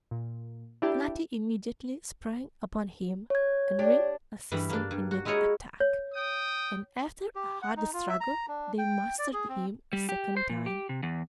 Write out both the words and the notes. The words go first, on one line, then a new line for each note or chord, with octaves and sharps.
Snati immediately sprang upon him, and Ring assisted in the attack, and after a hard struggle they mastered him a second time.
A#2
D4 E4 G4
C#5 G#6
D4 G4
G2 E3 G3 B5
A#3 D4
G2
F#4
G#3 E4 A#4 C#5 D#5
C#5
G5 D#6
G4
F#5
D#4
F4
E5
A#5
D4
G5
D5
G#4
C4
G3
G4
C5
A#2
G4
C3
E2